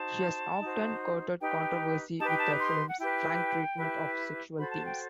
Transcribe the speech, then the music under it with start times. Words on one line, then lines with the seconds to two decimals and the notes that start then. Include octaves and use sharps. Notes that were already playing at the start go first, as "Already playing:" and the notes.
She has often courted controversy with her films' frank treatment of sexual themes.
Already playing: D#4 F#4 C5 A5
0.62 D#4 F#4 C5
1.41 D#4 G4 B4 G5
2.20 D#4 G4 B4 A5
2.29 G5
2.37 A5
2.59 C6
2.88 F#5
2.98 E4 G4 B4 G5
3.78 E4 G4 B4
4.58 F#4 A4 C5 B5
4.71 A5
4.85 G5